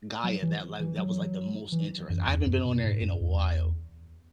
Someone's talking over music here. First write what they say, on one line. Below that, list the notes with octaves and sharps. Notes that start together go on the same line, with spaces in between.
Gaia, that, like that was, like, the most interest I haven't been on there in a while.
F#3
E3
E3
F#3
E3
F#2
E2
F#2
B2
G#2
F#2
E2